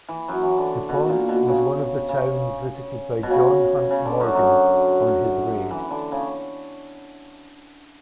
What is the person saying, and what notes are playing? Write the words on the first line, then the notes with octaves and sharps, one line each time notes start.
Dupont was one of the towns visited by John Hunt Morgan on his raid.
E3
F#2 F#3
E3
D3
B2
A#2
B2
C#3
C#3
B2
C#3
C#3
D3
F#2 F#3
F#2 F#3
E3
D3
C#3